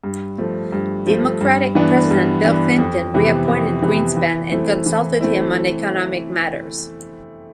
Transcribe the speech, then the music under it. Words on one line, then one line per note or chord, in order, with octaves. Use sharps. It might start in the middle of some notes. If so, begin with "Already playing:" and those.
Democratic president Bill Clinton reappointed Greenspan, and consulted him on economic matters.
G2
F3 A3
G2
F3 A3
G2
E3 B3 D4
G2
E3 B3 D4
F2
C3 E3 B3
F2
C3 E3 B3
E3
A3 C4 E4
E3
A3 C4 E4